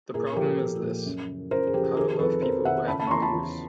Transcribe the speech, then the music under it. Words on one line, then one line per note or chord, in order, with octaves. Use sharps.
The problem is this: How to love people who have no use.
A#2 G#4 A#4
A#4
F3 G4 A4
F3
A#2
F#2
C#3
C#3 A#4 C5
G#4
F3 G4 A4
D#3 G#4 A#4
F2 A4 B4
F2 A#4 C5
D#3 E5 F#5
C#3 A5 B5
A5 B5
C#6
E2 A#5 C6
A5 B5
E2